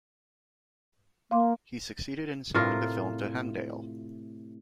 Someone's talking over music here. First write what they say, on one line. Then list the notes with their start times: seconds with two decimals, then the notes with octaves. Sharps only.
He succeeded in selling the film to Hemdale.
1.31 A#3 F5 C6 D6
2.54 A2 C3 F4 A#4